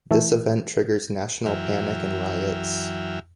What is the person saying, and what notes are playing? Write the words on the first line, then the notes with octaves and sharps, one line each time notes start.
This event triggers national panic and riots.
E3 A3 E4 A4
F#2 E3 F#3 E5 G5 F6